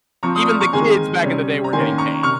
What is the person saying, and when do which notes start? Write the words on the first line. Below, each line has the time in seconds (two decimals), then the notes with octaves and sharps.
even the kids back in the day were getting paid.
0.23 F3 C4 A#5 C#6
0.36 C6 D#6
0.48 C#6 F6
0.60 A#5 C#6
0.73 D#3 G#3 C4 G#5 C6
1.23 C3 G3 C#4
1.64 A#5
1.73 D#3 A#3 C#4 G#5 C6
1.98 A#5 C#6
2.23 C3 C#6 F6